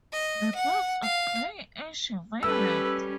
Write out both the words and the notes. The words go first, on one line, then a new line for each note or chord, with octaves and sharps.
The buds are grey-ashy-violet.
D#5
F#5
F5
G3 C#4 A4 B4 E6